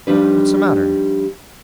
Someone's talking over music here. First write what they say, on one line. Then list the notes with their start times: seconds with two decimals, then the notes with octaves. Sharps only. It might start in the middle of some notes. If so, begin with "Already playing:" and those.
"What's the matter?"
0.07 F3 G3 D4 D#4 B4